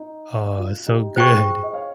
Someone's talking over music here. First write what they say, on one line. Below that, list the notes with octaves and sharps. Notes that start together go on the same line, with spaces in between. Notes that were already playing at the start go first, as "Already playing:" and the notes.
Oh, so good.
Already playing: D#4
F4
D#4 G4
F4 G#4 C5 G5 C#6
D#5
C#5 F5